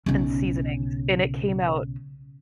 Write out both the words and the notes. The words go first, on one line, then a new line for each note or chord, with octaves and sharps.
and seasonings, and it came out
B1 C#3